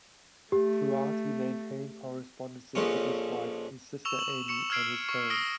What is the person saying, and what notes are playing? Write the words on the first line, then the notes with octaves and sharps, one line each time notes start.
Throughout, he maintained correspondences with his wife, his sister Amy, and his parents.
A3 G4
A#1 F2 C#4
C#6 E6 E7 F7
F#7
C#6 C#7 E7
E6 F6 G#6 C7 D7
C#6
D#6 E6 A#6 C7 D7 G7